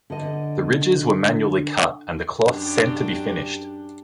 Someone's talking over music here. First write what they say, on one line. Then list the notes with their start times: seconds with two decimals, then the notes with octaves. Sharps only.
The ridges were manually cut, and the cloth sent to be finished.
0.10 D3 D#5
2.43 F#2 D4 G4